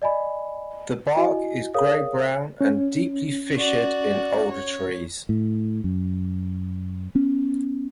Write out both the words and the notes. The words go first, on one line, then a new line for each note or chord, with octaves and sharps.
The bark is grey-brown, and deeply fissured in older trees.
D5 D#5 G#5 B5
E4 F#4 D#5 G#5
G#4 A#4 C#5 F5 D#6
C#4
F#4 D5
C#5
A2
F#2
B3 C#4